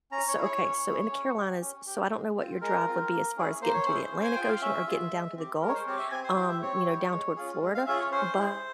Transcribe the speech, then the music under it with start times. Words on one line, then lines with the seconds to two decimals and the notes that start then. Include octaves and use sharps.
so okay, so in the Carolinas, so, I don't know what your drive would be as far as getting to the Atlantic Ocean or getting down to the Gulf, um, you know, down toward Florida, but
0.11 C#4 A#5
0.28 C#5
0.37 E4 G#4
0.45 C#5
0.62 C#4
0.86 E4 G#4
1.12 C#4
1.37 G4
1.61 C#4
1.87 G4
2.11 G#3
2.37 C4 F4
2.61 G#3 A#4
2.87 C4 F4
3.12 A#3
3.37 C#4 E4 G#4
3.61 A#3 C5
3.74 C#5
3.85 C#4 E4 G#4 C5
4.12 C#4
4.23 G#5
4.36 F4 G#4 G5
4.48 F5
4.62 C#4 E5
4.87 F4 G#4
5.12 G#3
5.36 C4 G4
5.62 G#3 A#4
5.69 C#5
5.74 C5
5.86 C4 G4 C#5
5.99 E5
6.11 C4 G#5
6.24 C5
6.36 E4 G4 C5
6.49 E5
6.62 C4 C#5
6.86 E4 G4
7.11 G#3
7.36 C#4 F4 G#4
7.61 G#3
7.74 F5
7.86 C#4 F4 G#4 E5
7.99 C#5
8.11 C#4 C5
8.37 E4 G#4